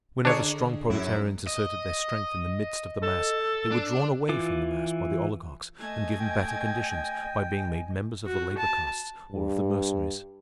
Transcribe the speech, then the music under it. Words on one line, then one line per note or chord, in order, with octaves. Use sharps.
Whenever strong proletarians asserted their strength in the midst of the mass, they were drawn away from the mass by the oligarchs and given better conditions by being made members of the labor castes or of the Mercenaries.
D3 D4 G#4 C#5
F#2 E4
D#5
A4
D4
E3 F4 D6
A3 D#5 G#5 G#6
G5
F#4
A5
G2